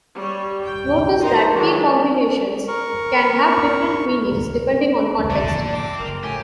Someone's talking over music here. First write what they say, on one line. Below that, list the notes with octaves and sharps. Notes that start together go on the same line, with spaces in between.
Notice that key combinations can have different meanings depending on context.
G3 C#5
G5
D#4 A#4 C5 A#5
D#3 E3 F#3 G#3 D4
A#4 C#6
D3 D5 E5
G#2 F3 A#3 A5
G5 C6 D6
F#1 A#4
A2 C#3 G4 G#5